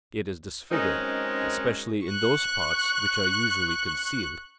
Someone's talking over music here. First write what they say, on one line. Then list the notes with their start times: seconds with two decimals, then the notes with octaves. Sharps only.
It is disfigured, especially in those parts which are usually concealed.
0.71 F#2 G#3 C4 C#4 D#4 A#4
2.07 C#6 F#6